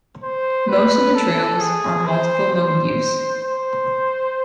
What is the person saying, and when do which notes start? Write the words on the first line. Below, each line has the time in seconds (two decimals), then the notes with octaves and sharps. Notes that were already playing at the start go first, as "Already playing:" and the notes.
Most of the trails are multiple mode use.
0.23 C5
0.69 B4
1.15 A4
1.61 G#4
2.06 C5
2.53 C5
3.44 C5